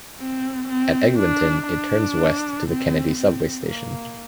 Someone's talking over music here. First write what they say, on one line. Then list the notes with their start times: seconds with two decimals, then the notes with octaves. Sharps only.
At Eglinton, it turns west to the Kennedy subway station.
0.19 C4
0.68 C4
1.18 D4
1.68 D4
2.68 C4
3.18 C4
3.69 A#3